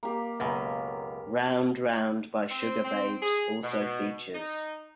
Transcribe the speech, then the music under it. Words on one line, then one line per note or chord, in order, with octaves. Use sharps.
Round Round by Sugababes also features.
A#3 G4
C#2 F#2 B2
C4
C4
G#4
B2
D#4